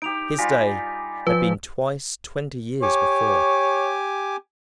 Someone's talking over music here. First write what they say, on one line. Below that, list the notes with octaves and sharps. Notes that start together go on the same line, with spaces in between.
His day had been twice twenty years before.
D#4 G4 D7 F7
G3 F4 G#5 A#6 B6
F3 B4
G4 C#5 G#5 D6